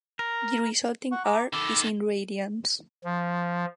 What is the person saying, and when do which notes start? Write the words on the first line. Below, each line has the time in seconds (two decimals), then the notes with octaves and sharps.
The Resulting "R" is in radians.
0.19 A#4
1.12 F#5 C#6
1.25 A#5 D6
1.53 D#3 A4 B5 D6 E6
3.05 F3